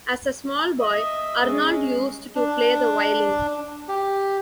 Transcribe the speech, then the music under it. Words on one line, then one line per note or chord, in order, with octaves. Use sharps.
As a small boy, Arnold used to play the violin.
D#5 E5
G#3 C#4
D4
G4